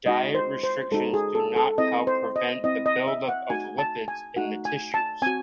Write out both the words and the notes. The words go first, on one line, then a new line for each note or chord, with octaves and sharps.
Diet restrictions do not help prevent the buildup of lipids in the tissues.
G#3 D#4 F#4 D#5
C5
C5
G#3 D#4 F#4 A4
G#4
A4
A4
C4 E4 D#5
C5
D#5
C4 E4 D#5
D#5
E5
F#5
A3 D#4 F#4 G#5
A5
G#5
A3 D#4 F#4 F#5
G#5
A5
C4 F#4 G#5